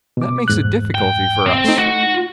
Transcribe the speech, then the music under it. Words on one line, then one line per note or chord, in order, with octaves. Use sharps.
That makes a difficulty for us.
B2 D6
E2 G#2 F#6
G5
C4
A3 D#4
F#4